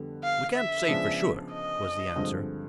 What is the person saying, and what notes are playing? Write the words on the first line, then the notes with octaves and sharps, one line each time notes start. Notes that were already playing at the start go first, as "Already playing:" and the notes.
"We can't say for sure," was the answer.
Already playing: F2 D3 G3 B3
F5
E5
C#3 F3 G#3 B3 D4
D#5
G2 D3 F3 G#3 C4